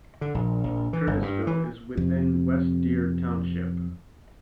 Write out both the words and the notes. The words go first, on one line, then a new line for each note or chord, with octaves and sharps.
Curtisville is within West Deer Township.
D3
A#1
A#1
E3
G1
G2
E3
F2 C3